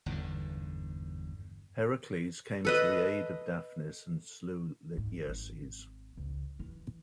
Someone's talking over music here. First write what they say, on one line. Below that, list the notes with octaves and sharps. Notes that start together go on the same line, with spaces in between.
Heracles came to the aid of Daphnis and slew Lityerses.
G1 E2 G#2 D3
A4 B4 D#5
G#2
G#1
C#2
E3